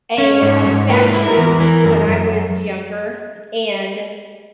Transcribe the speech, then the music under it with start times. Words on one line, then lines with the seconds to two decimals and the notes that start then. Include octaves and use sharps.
a, um, factory when I was younger. And
0.18 C#4 C#5
0.42 G#2
0.66 G#2
0.89 A#3 B4
1.13 E4
1.24 A#4
1.37 E2
1.60 E3 A#4
1.84 F#2
2.07 F#2